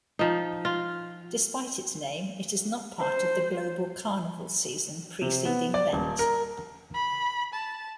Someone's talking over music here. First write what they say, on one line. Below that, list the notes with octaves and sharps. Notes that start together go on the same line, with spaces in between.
Despite its name, it is not part of the global Carnival season preceding Lent.
F3 D#4
F4
C5
C3
B3
D5
D#1
A#4
B5
A5